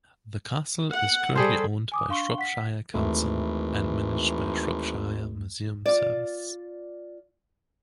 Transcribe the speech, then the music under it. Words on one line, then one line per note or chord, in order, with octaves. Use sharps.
The castle is currently owned by Shropshire Council, and managed by Shropshire Museum Service.
F#5
G3 G#4 A4 C5
G#5 D6 D#6
D4 F5 C6 C#6 G7
F#5 B6
G#1 D#2 E3 A3
F4 D5